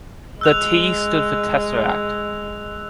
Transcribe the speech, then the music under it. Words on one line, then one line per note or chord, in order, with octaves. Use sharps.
The T stood for "Tesseract".
G#3 E6 F#6 F7